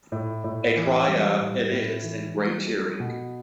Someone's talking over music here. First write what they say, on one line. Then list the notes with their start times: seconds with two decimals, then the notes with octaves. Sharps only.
A cry of “It is,” and great cheering.
0.12 A2
0.44 A2
0.76 E3
1.08 G3
1.40 A2
1.71 A2
2.03 E3
2.35 G3
2.67 A4
3.00 B2